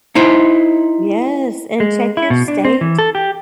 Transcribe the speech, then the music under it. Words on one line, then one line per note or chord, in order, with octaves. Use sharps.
Yes, and check your state
D#4 E4 C5
G#3
E4
B2
D4
C4
E3
A4
G4